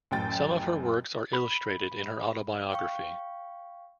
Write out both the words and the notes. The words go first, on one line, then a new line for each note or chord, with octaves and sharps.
Some of her works are illustrated in her autobiography.
A1 F#2 G5 A6
B5
F5 G5 C#6